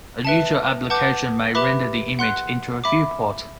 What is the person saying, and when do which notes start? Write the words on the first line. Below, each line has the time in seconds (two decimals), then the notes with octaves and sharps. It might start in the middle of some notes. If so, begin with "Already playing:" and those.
A user application may render the image into a viewport.
0.25 B4 E5 A5
0.90 B4 F#5 A5 D6 G6
1.55 G4 B4 E5 B5 D6
2.19 F#5 C6 F#6
2.84 E5 B5 D6